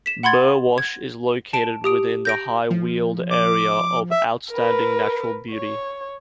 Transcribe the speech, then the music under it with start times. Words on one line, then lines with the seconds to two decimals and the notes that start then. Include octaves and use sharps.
Burwash is located within the High Weald Area of Outstanding Natural Beauty.
0.06 B6 E7
0.23 F#5 B5 C6 G#6 A6
0.78 G#6
1.53 A5 D7
1.84 G4 D#6 D7
2.25 G6 A#6 D7
2.71 F3
3.31 D6
4.11 E5
4.52 A#4 B4
5.51 C#5